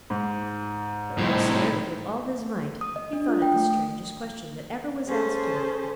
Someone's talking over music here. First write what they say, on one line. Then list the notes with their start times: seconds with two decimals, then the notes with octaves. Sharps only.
The earl stared with all his might; he thought it the strangest question that ever was asked him.
0.10 G#2
1.18 C2 A2 C4 D#4
2.81 D#6
2.96 D#5
3.13 D4
3.28 F4
3.42 G5
3.55 A3
3.71 D#6
5.07 C#4 G#4 A4 C5